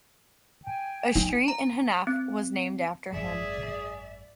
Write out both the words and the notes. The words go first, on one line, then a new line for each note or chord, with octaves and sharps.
A street in Hennef was named after him.
G5 G#5
D#4
A#5
C4
G#1 F#2 G#4 D5 E5